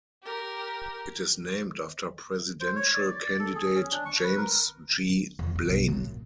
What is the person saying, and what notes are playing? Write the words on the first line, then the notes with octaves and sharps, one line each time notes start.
It is named after presidential candidate James G. Blaine.
G4 A#4
C5
C#5
D5
D5
D5
A4
G#4
C#4
D4
C#6
B4
A#4
F2
D3
B1
F#2
A#2